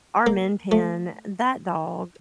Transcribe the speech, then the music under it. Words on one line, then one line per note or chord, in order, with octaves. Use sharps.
our Min Pin, that dog,
A#3
A3